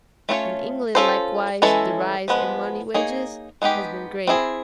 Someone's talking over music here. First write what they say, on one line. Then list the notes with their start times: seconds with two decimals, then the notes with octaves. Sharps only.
In England likewise the rise in money wages has been great.
0.29 A3 C#4 F4 A4 C#5
0.95 C#4 F4 A4 C5
1.62 E3 G#3 C#4 E4 A4
2.28 F3 G#3 B3
2.94 A#3 D#4 G#4 C#5
3.62 G#3 B3 D#4 G4
4.27 C4 E4 G#4